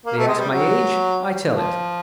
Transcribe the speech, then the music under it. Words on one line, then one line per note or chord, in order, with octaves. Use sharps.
They ask my age; I tell it.
A#3
A3
G#3
G3
F#3
F3